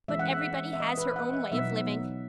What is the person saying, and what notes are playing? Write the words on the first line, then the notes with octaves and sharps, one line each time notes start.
But everybody has her own way of living . . .
E3 G#3 C#4 E5
F#5
E5
E5
D#5
B4
F#5
E5
B2 F#3 B3 D#4 E5